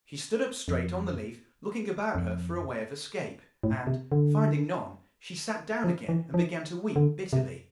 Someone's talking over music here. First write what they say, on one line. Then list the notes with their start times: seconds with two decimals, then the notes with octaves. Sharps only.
She stood up straight on the leaf, looking about her for a way of escape, and, finding none, she sat down again and began to weep bitterly.
0.68 F2
2.15 F2
3.63 A2
3.87 C3
4.12 D3
5.84 F3
6.09 E3
6.34 F3
6.96 D3
7.33 C3